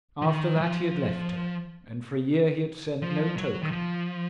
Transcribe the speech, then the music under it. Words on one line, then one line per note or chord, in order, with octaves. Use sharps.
After that he had left her, and for a year had sent no token.
F3
D#3
F#3
F3
F3
F#3
D#3
F3